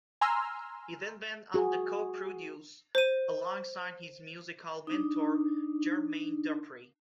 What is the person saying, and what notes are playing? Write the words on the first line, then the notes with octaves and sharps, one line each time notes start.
He then went on to co-produce alongside his musical mentor Jermaine Dupri.
G#5 A#5 C6 E6 F6
F#4 G#4
C5 D#7
D4 D#4